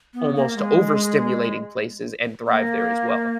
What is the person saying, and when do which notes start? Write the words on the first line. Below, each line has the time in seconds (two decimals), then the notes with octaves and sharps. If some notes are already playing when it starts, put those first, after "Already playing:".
almost overstimulating places and thrive there as well.
0.14 B3
0.35 A#3
0.57 G#3
2.48 A#3